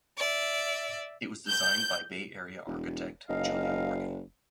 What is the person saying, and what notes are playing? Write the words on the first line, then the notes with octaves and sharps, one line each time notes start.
It was designed by Bay Area architect Julia Morgan.
D5 E5
G6
E1
F#1 D#4 D#5 F5